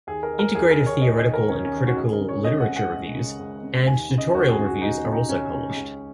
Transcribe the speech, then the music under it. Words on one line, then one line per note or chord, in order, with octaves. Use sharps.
Integrative theoretical and critical literature reviews, and tutorial reviews are also published.
D#2 G#4
A#4
D#3
A#4
D#2 G#4
A#4
D#3
C#5
D#2 D#5
D#5
D#3
A#4
D#2 C#4
C#4
D#3
F#4
C#2 G#4
A#4
C#3
C#5
C#2 D#5
F#5
C#3
F#5
C#2
C#3
C#2
C#3
D#2 G#5
C#3
D#5
D#2 F#4
G#4
C#3
F#4
D#2 D#4
C#3
D#4
D#2 C#4
C#3
C#2